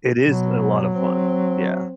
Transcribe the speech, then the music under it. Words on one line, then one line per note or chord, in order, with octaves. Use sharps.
It is a lot of fun. Yeah.
B2 F#3
C4